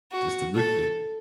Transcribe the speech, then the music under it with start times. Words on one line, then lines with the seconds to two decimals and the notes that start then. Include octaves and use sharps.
just to look at.
0.12 F#4
0.54 A4